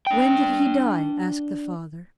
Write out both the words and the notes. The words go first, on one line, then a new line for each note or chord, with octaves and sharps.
"When did he die?" asked the father.
D4 G5